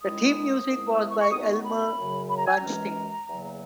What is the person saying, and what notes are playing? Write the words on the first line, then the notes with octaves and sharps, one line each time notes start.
The theme music was by Elmer Bernstein.
D#3 G#3 C#4 E4 D#6
G#2 D#3 G#3 B3 E4
E6
D#6
C#6
C#6
D#3 F#3 B3 D#4 D#6
C#6
C#6
B5
F#2 C#3 F#3
B5
A#5
G#5
A#5
F#2 E3 G#3 C#4
E2 C#3 F#3 A#3